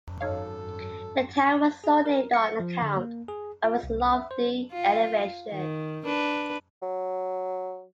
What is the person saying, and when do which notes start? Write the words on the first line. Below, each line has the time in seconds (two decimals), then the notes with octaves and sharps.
The town was so named on account of its lofty elevation.
0.21 G#1 F#2 D#4 A4 C#5 F5
1.84 G#4
2.06 A#4
2.33 C#7
2.60 F3
2.82 D3
2.96 A#3
3.28 G#4
3.64 F4
3.83 C2
4.14 E5
4.31 C5
4.72 F4
5.51 D#3
6.06 D4 B4
6.82 F#3